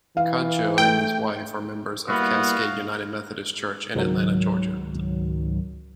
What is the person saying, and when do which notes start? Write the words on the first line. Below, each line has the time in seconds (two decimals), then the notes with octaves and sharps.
Kodjoe and his wife are members of Cascade United Methodist Church in Atlanta, Georgia.
0.17 E3 F5
0.78 A3 G5
2.08 G3 A#3 B3 E4 F#4 F5
3.95 C#2 G#2 D#3 F#3